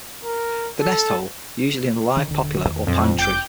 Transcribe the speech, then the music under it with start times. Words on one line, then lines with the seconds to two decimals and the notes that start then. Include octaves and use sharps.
The nest hole, usually in a live poplar or pine tree.
0.25 A#4
0.80 A4
2.17 D3 D#3
2.29 D#1 D3
2.67 E2 D#3
2.87 F2 A#2 F#3 C4
3.19 F1 G5 D6 G6